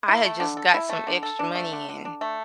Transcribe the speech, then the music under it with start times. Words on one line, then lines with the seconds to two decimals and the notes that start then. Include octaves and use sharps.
I had just got some extra money in,
0.08 E4
0.24 A3
0.40 D3
0.57 A4
0.74 E4
0.89 A3
1.07 D3
1.23 A4
1.39 D4
1.55 A3
1.73 D3
1.89 D3
2.05 D4
2.21 A3